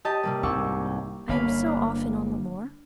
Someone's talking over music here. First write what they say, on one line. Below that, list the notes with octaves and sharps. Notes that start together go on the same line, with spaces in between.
I am so often on the moor.
G4 D#5 A5
C3 G3 A#3
C2 G#2 C#6 D6 E6
G1 A#3 C#4 F5 B5
D4